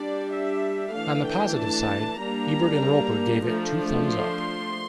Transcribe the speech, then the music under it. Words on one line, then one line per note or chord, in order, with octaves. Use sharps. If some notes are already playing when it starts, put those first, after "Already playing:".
On the positive side, Ebert and Roeper gave it "Two Thumbs Up".
Already playing: G3 D4 D5
E5
E3 A3 D4 F5
G5
A5
G3 A#3 D4 A#5
F3 A3 D4
C6